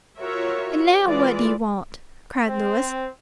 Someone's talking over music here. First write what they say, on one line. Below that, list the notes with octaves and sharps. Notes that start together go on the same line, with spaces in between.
"And now what do you want?" cried Louis.
F4 F#4 A#4 C#5 E5
E3 G#3 F4 D5
C4